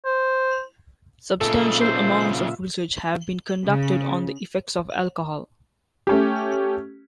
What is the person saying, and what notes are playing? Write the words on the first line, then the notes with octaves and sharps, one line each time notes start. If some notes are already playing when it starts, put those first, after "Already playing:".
Substantial amounts of research have been conducted on the effects of alcohol.
C5
B1 A#2 C#3 F4 A4 E5
C5
C#3
A3 C#4 G4